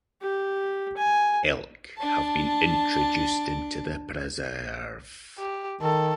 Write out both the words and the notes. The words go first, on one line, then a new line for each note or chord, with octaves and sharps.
Elk have been introduced into the preserve.
G4
G#5
D4 A5
G4
D#3 A4